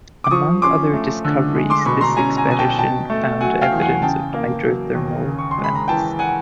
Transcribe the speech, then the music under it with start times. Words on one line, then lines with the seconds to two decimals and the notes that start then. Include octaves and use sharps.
Among other discoveries, this expedition found evidence of hydrothermal vents.
0.24 D6
0.31 F3 C#6 D#6
0.62 C#4 C6 D6
0.93 A3
1.25 D3
1.55 G#3
1.70 C6 D6
1.85 B2 B5 C#6
2.01 A#5 C6
2.16 C#4 G#5 A#5
2.37 G#5 A#5
2.48 B2 G#5
2.59 G5 A5
2.79 B2 G5 A5
3.10 A3
3.41 F#3 F#5 G#5
3.61 F5 G5
3.72 E2
3.82 F#5 G#5
4.02 C#3 G5 A5
4.34 A#3
4.64 F#3
4.95 D#2
5.27 C#3
5.39 C#6
5.51 C6
5.58 G#3
5.64 B5
5.75 A#5
5.88 E3 G5 A5
6.19 F#5 G#5